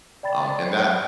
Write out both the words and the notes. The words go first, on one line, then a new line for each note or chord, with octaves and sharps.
um, and that,
D5 G5 B5 A6